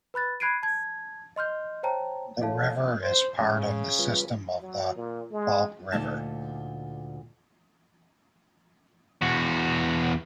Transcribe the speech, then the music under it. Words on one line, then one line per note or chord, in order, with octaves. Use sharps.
The river is part of the system of the Balkh River.
B4 B5 F#6 A6
B5 F#6 G#6 C7 D7 D#7
A5 G#6
D#5 C6 F6 G6
C5 C#5 G5 A5 A#5
A4 C#5 F5 A5
C5
A2 C#3 G#3
G3 F4 B4
F#3
A#2
G#3
D2 A#2 A3 D#4 A5
E2 F#4